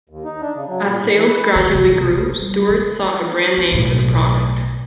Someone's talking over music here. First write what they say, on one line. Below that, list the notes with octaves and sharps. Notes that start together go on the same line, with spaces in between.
As sales gradually grew, Stuart sought a brand name for the product.
D#2
D#4
D4
C#3
F#3
A#2
A2
E3
B4
D#3
C3 F3
B1
F4
G3
E3
C#4
B1 A2